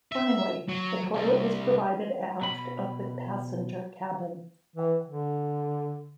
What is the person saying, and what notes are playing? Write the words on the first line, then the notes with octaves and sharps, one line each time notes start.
Finally, a toilet was provided aft of the passenger cabin.
E5
F#3
C2
B2 B5
E3
D3